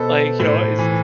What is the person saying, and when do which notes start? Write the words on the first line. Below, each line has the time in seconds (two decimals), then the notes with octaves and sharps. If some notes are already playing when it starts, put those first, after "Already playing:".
Like, you know, it's
Already playing: B2 A4 B4 C5
0.39 A2 C5
0.79 E3